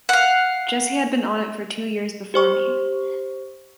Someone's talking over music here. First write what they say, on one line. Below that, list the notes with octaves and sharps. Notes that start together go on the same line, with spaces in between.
Jesse had been on it for two years before me.
F5 F#5
G4 C5 C#6